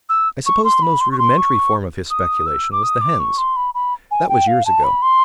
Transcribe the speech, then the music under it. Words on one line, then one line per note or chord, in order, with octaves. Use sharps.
I suppose the most rudimentary form of his speculation was the hens. That was years ago.
E6
C#6
C6
B5
C6
C#6
C6
C#6
D#6
E6
D6
D#6
D6
C#6
C6
B5
B5
G#5
G5
F5
A5
B5
C6